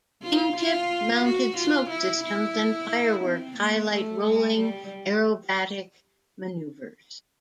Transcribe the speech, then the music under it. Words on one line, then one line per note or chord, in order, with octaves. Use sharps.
Wingtip mounted smoke systems and fireworks highlight rolling aerobatic maneuvers.
F4
F4
F#4
F4
E4
E4
C4
A#3
A3
G#3
G3